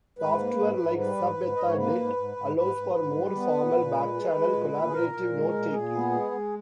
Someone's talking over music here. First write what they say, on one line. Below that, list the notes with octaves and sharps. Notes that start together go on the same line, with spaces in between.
Software like SubEthaEdit allows for more formal backchannel: collaborative notetaking.
G#2 B4
A#3
G#2
G#2
G3 B4
G#2
G#2
G#2 D#5
C#5
A#3 B4
G#2
G#2
G#2
G#2 B4
G#2
G#2
G3
B3
A#2
A#2
G#3
G#3
G#3
A#2
A#2
G#4
A#2 A#4
A#2
G#3
A#2
A#2 G#4
B3
G#3
G#3